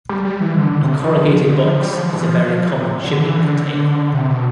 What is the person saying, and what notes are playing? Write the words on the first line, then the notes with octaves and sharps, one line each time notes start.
A corrugated box is a very common shipping container.
G3
G3
E3
D3
D3
C3
D3
F3
D3
F3
G3
F3
E3
F3
F3
E3
D3
C3
D3
E3
D3
C3
B2